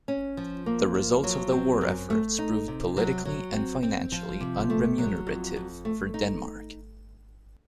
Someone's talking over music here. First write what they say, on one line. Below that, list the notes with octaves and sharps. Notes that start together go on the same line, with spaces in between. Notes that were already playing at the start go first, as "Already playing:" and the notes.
The results of the war efforts proved politically and financially unremunerative for Denmark.
C#4
F3
A#3
F3
F#3
C4
F#2
A3
D#4
C3
F#3
F#3
C4
C4
F3
C3
A3
F#3
F2
F2
A3
D#4